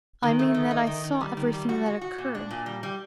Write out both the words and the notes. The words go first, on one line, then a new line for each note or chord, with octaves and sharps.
"I mean that I saw everything that occurred."
D#3
A3
D#3
D#4
D#3
D#3
G3
D#3
G3
F#4
F#4
F#4
A#2
D4
A#2
G3
G3